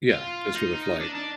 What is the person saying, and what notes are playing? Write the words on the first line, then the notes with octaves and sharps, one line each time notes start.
Yeah, just for the flight.
F4
D#4
D4
D4